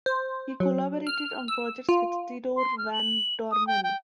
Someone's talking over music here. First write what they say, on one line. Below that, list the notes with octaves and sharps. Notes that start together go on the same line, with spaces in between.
He collaborated on projects with Theodoor Van Dormael.
C5
F#3
F6
E6
F4
C6
F6
F#7
D#6
G5
G5